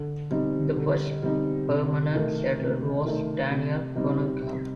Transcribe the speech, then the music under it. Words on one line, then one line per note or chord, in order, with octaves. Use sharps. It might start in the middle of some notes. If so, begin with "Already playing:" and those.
The first permanent settler was Daniel Cunningham.
Already playing: D3
G3 C4 D#4
D3
G3 C4 D#4
C3
D#3 A3 D#4
C3
D#3 A3 D#4
C3
G3 C4 D#4
C3